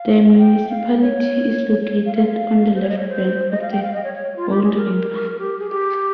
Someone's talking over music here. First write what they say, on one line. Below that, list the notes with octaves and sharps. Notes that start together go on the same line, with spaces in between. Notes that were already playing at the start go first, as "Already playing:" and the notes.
The municipality is located on the left bank of the Rhone river.
Already playing: F5
F5
G5
F5
C#5
F5
F5
F5
C5
C#5
D#5
C#5
C5
D#5
F5
G5
F5
D#5
C#5
C#5
F4
G4
G#4
A#4
G4
G#4
G4